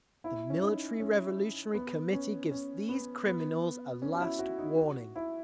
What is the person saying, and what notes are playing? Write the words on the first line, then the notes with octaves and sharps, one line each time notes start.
The MILITARY REVOLUTIONARY COMMITTEE GIVES THESE CRIMINALS A LAST WARNING.
E4
C#4
D#4
C#4
B3
C#4
C#4
B3
B3
C#4
F#4
E4
F#4
D#4
F#4
E4